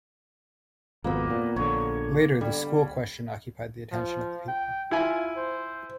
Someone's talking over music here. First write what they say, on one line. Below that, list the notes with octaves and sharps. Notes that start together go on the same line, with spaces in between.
Later the school question occupied the attention of the people.
G#1 F2 B2 A#3 B3
A#2
A#1 D3 C#5
D3 G3
F3
G5
E4 F4 G#5
C5